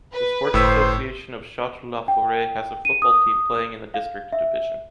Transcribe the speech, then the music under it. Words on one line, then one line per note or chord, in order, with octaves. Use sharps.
The Sports Association of Châtres-la-Forêt has a football team playing in the district division.
B4
G1 A2 C5 E6 B6
G5
D#7
D#6
F5
E5